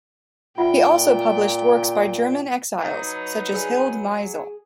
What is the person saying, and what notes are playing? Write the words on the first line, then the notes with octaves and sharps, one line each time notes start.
He also published works by German exiles, such as Hilde Meisel.
A#2 F4 E5 F#5 G5
F#3 D#4 B4
G#4